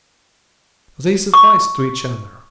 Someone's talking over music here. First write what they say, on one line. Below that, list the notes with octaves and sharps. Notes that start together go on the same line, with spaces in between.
They sufficed to each other.
C#6